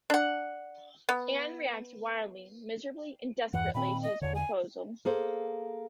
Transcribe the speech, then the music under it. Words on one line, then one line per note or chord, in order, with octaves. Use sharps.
Anne reacts "wildly", "miserably" and "desperately" to his proposal.
D4 F#5
B3
E2 G2 E3 F#5
A#2 D#3 C4 B5
D#5
E2 D3 C#5
G#5
A#3 G#4 A4 C5